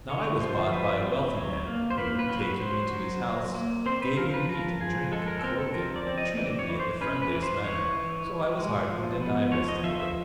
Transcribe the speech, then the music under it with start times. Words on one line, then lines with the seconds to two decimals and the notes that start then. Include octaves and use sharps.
Now I was bought by a wealthy man who, taking me to his house, gave me meat and drink and clothing and treated me in the friendliest manner; so I was heartened and I rested a little.
0.09 D3 C#5
0.40 F3 C5
0.72 F3 B4
1.03 C4
1.35 F#3
1.66 A#3
1.90 C5
1.98 A#3 B4
2.19 B4
2.29 F#3
2.40 B4
2.60 F#3 C5
2.93 F#3
3.23 F#3
3.54 A#3
3.86 C4 C5
4.02 B4
4.17 F3 A#4
4.34 B4
4.49 F3 A#4
4.80 F3 G#4
5.12 G#3 A4
5.28 A#4
5.39 A4
5.43 C4 A#4
5.59 A4
5.74 F3 A#4
5.96 D5
6.07 C4
6.18 D#5
6.37 E3 D5
6.59 C#5
6.69 E3
6.80 C5
7.01 C#4 B4
7.22 B4
7.32 E3
7.43 C5
7.63 E3 C#5
7.96 E3
8.27 E3
8.58 G#3
8.90 F3
9.21 B3
9.52 F3 C#5
9.68 D#5
9.84 F3 E5
10.00 E5